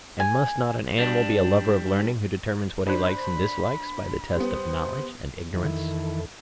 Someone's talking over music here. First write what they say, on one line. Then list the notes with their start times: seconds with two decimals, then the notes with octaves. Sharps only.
And must not an animal be a lover of learning who determines what he likes and dislikes by the test of knowledge and ignorance?
0.20 G#5
0.98 G3 D4
2.87 D4 C5 B5 F#6
4.36 G3 B3 C5
5.54 F2 D#3 E3 E4 A4